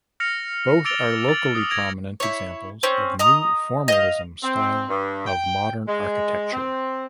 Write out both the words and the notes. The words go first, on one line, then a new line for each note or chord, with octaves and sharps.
Both are locally prominent examples of New Formalism style of Modern architecture.
F6 A#6 C#7 F7
D6 E6 A6 D7 F7 G7
A6 F#7
D#6 F6 A6
G#6 A#6 D7 F7
E4 C#5
C4 C#4
D#5 A#5 D#6
D#5 F5
C4
G2
G5
G#3
C4